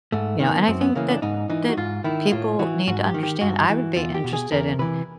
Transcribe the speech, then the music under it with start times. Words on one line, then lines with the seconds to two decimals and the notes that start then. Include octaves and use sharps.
you know and I think that that people need to understand, I would be interested in
0.12 G#2 A3
0.40 D#3 B3
0.68 F#2 C4
0.81 B3
0.95 C#3 E3 A#3
1.09 D4
1.22 G#2 D#4
1.49 E3 D#4
1.69 F#4
1.77 G#2 F4
2.04 D#3 E4
2.32 A2 F4
2.59 E3 F#4
2.87 G#2 F#4
3.05 G4
3.14 D#3
3.23 G4
3.41 G2 F#4
3.70 E3
3.96 E2 F4
4.15 G4
4.24 B2
4.33 G#4
4.51 E2 A#4
4.79 C3 E3 B4